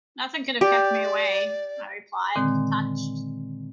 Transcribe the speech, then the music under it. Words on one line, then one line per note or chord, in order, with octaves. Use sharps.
"Nothing could have kept me away," I replied, touched.
G4 D5
A#2 D3 D#3 G#3 C4